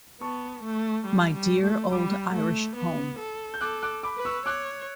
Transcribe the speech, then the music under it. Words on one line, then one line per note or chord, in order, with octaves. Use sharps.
My dear old Irish home.
B3 A5 C#6
A3
G3
G3
A3
G3 B5 D6
A3
B3
A4
G6
A4 D6 F#6
D6 F#6
B5 D6
B4
C#6 E6
C#5 D6 F#6